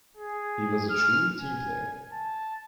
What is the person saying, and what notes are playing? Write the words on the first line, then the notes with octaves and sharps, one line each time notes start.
He was a true team player.
G#4
F6
G#5
A5